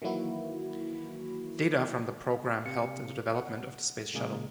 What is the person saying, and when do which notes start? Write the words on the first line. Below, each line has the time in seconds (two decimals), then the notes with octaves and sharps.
Data from the program helped in the development of the Space Shuttle.
0.02 D#3 E3 F#3 A#3 E4 F#4
2.65 C3 F5 C#7
3.36 F#5
4.14 A#2 C#3 G#3 A#3 G#4